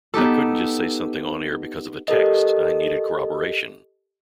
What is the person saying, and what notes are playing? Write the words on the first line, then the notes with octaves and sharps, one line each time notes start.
I couldn't just say something on-air because of a text, I needed corroboration.
B3 D#4 G4 A4
G4 A4 A#4 D#5